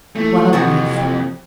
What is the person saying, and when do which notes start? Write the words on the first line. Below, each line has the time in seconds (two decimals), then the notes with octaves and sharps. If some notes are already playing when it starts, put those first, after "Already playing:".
What a life!
0.16 A#2 E3 A3
0.53 F2 C3 F#4 B4 A5